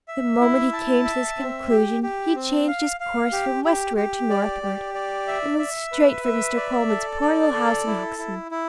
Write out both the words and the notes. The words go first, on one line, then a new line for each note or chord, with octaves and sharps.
The moment he came to this conclusion, he changed his course from westward to northward, and went straight for Mr. Coleman's poor little house in Hoxton.
E5
E4
A5
E5
C4
G4
G4
C4
F5
F5
G4
G4
G4
D5
G4
D5
E5
E5
B4
E5
D5
A4
D5
A4
E4
E4
E4